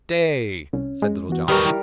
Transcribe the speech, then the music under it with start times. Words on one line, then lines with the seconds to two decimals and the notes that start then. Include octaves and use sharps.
"Stay!" said Little John.
0.73 C2 C#4
1.02 G#3
1.29 E3 B3 F#4
1.48 D#3 F#3 G3 A#4 B4 B5 F6
1.66 E4